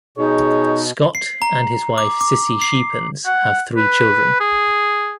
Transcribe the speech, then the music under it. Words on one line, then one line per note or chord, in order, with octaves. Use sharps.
Scott and his wife Cissy Schepens have three children.
B2 D#4 G#4 C#5
C7
A#5
D6
D6
C7
F#5
B4
G#4